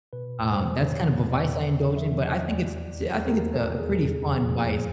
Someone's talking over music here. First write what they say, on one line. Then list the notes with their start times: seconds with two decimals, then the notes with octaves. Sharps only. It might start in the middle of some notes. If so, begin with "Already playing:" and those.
um, that's kind of a vice I indulge in, but I think it's it's I think it's a, a pretty fun vice
0.13 B2 B4
0.39 E2
0.53 C5
0.65 E2
0.91 B2 C#5
1.18 E2
1.31 D5
1.44 E2
1.70 E2
1.96 F3 E5
2.22 E2 D#5
2.49 D#2 D5
2.75 E3
3.01 D#2
3.27 E2 A#4
3.53 E3 A4
3.79 E2 G#4
4.05 F2
4.32 F3
4.58 F2